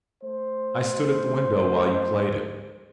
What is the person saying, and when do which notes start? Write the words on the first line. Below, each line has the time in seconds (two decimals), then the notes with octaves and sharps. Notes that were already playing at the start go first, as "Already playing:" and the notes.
I stood at the window while you played it.
0.23 A3 C5